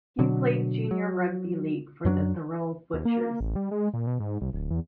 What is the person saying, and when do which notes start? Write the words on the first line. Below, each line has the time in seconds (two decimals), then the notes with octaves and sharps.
He played junior rugby league for the Thirroul Butchers.
0.19 B2 D3 F#3
0.91 F#3
2.05 F#2 F#3 C#4 D4
2.94 D#2
3.05 A#3
3.21 A#3
3.40 A1
3.56 G3
3.71 G#3
3.94 A#2
4.07 B2
4.20 G#2
4.41 C2
4.53 D1
4.71 E2